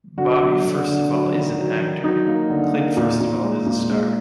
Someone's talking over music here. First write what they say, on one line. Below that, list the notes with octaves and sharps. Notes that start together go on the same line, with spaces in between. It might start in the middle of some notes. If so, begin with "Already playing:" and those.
Bobby first of all is an actor, Clint first of all is a star.
D3 F#4
F#3
D3
D3
F#3
D#3
F#3
D#3
F#3 D#4
A#3
D3
A#3
A#2
A#2
G#3
A#2
G#3